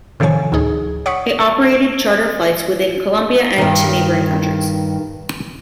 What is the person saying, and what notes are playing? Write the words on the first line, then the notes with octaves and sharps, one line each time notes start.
It operated charter flights within Colombia and to neighbouring countries.
A2 C3 D#3 F3 C#5 G#5
D2 A2 D#4 G#4
C#5 F#5 C#6 D#6 B6 C#7
G2 D#3